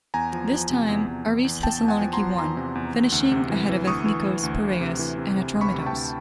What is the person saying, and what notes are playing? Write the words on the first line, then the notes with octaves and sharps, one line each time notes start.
This time, Aris Thessaloniki won, finishing ahead of Ethnikos Piraeus and Atromitos.
E2 G#5 A#5
F3
F3
C3
E2
E2
E2
E2
E2 G5 A5
E2
F#5 G#5
F3
A#5 C6
F3
E2 A#5 C6
C3
E2
E2
D2
C3
E3
E3
D2 C#6 D#6
E3
E3
D2
D2
C3
E3
C3
C3
D2
B5 C#6
C3
G5 A5
D2